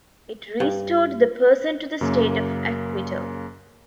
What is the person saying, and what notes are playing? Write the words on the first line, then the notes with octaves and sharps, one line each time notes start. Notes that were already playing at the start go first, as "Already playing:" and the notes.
It restored the person to the state of acquittal.
G2
F#2 C#3 A#3